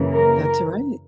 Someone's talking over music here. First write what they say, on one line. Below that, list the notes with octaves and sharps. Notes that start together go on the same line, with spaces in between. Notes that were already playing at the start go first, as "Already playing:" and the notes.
That's right.
Already playing: F#2 C#3 E3 A#3
A#4